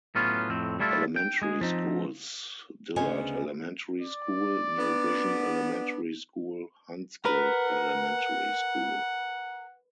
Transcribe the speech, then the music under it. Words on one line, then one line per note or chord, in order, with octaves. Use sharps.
Elementary Schools: Dillard Elementary School, New Vision Elementary School, Huntsville Elementary School.
A2 F#3 B3 C#4 F4
F2 A2 C4
G3 A3 E4 F4 G#4 A4
G5
G#3 G#4
F3 C4 D#4
D2 C#3 B3 C5 D#5 G#5
D5
B3 D4
A#4 B4 F#5